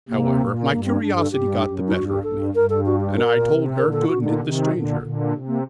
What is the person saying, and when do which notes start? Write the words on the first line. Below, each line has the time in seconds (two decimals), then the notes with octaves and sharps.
However, my curiosity got the better of me, and I told her to admit the stranger.
0.09 C3 A#3
0.39 A#2
0.70 G2 A#3
0.85 C4
1.01 G2 D4
1.17 A4
1.31 G2 G4
1.62 F#2
1.88 D#4
1.93 G2 F#4
2.08 G4
2.23 G2 A4
2.54 G2 A#4
2.70 A4
2.86 F#4
3.00 G4
3.16 A#2 A#4
3.47 C3
3.78 A#2 D3 A#4
3.93 A4
4.08 A#2 D3 F#4
4.24 D#4
4.39 C3 D#3
4.70 A#2 D3
5.00 A#2 D3
5.31 C3
5.47 A#3